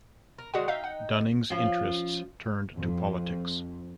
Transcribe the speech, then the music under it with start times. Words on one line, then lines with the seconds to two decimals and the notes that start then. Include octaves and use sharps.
Dunning's interests turned to politics.
0.38 A#4
0.54 D3 D#3 G#3 F#4 F#5
0.68 D#4 E5 F5 G5
0.84 F#5
1.50 F3 C#4 F4
2.76 F2